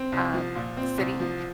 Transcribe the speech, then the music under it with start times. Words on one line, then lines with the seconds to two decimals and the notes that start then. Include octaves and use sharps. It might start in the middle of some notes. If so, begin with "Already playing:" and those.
um, city.
Already playing: C4
0.12 C2
0.34 F3
0.55 A#2
0.77 C4
0.98 C2
1.20 F3